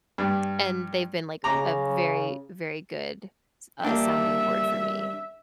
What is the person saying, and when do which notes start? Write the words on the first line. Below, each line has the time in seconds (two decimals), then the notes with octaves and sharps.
and they've been, like, a very, very good s uh sounding board for me,
0.18 G2
1.44 C#3 A#5 D6
3.84 G3 A#3 D4 E5